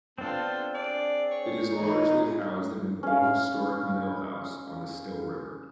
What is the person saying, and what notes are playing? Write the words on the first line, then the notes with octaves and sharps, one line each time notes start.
It is largely housed in an old historic mill house, on the Still River.
B3 C4 D4 F4 A4 C5
G#4 D5
C#5
D#2 E3 D#4 G#4
C#4 F5